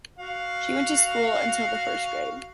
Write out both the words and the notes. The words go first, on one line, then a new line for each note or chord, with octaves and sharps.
She went to school until the first grade.
F#4 F5